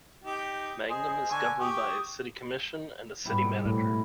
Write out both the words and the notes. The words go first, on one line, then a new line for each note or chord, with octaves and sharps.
Mangum is governed by a city commission and a City Manager.
D#4 G4
G#4 C5 D#5
D3 G#5 C#6
G4 C#6 D#6
G#2 B2 G3 E4 G4 A#4
A2